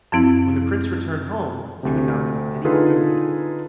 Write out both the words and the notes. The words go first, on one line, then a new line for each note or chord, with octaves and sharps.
When the prince returned home he would not eat any food.
F#2 F3 C4 E4
D2 C3
D3 D#4 F4 G#4 A4 B4